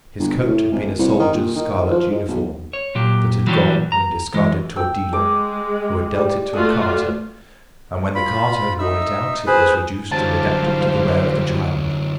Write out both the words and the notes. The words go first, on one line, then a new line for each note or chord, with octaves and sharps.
His coat had been a soldier's scarlet uniform, that had gone when discarded to a dealer, who had dealt it to a carter, and when the carter had worn it out it was reduced and adapted to the wear of the child.
G1
A2
G#1
C2
D#3
A#2
D#3
F3
G#2
B1
C#5
A#2 F#3 G4
E3 F#3 G3 C#4 F#4 G4
A#5
E3 G#3
G5 E6
G#3 D6
G3
A3 F4 F#4 D#6
F4 B5
D#4 E5 E6
G#4 B4 C5
F#2 D3 E3 F#3 G3 C5 F5 A5